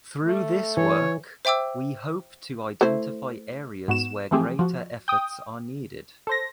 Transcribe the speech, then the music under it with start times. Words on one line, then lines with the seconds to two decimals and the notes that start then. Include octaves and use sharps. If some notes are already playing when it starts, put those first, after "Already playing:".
Through this work, we hope to identify areas where greater efforts are needed.
0.25 A3
0.77 E3 C#5
1.45 C5 E5 G5 D6 E6
2.81 A3 E4 C5
3.88 G#2 B3 F#4 E7
4.31 E3 F3 A3 C4 G4 G#4
4.59 F3 F#4
5.08 G5 D#6
6.27 A4 C5 A#6